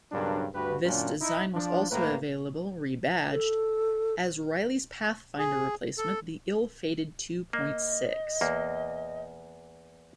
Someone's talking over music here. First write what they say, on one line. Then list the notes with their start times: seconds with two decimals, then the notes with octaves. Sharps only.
This design was also available, rebadged, as Riley's Pathfinder replacement, the ill-fated Two-Point-Six.
0.12 B1 G2 C#3 F#3 D4 A#4
0.55 D2 G2 F#4 G4 B4
0.85 F#2 A#2 D#3 F#3 C#4 D4
1.21 D#4 E4
1.54 F3 D4
1.91 A1 A2 A#3 A#4 B4
3.31 A4
5.38 G#4
5.98 A4
7.53 A#3 D#5
8.41 E2 A#3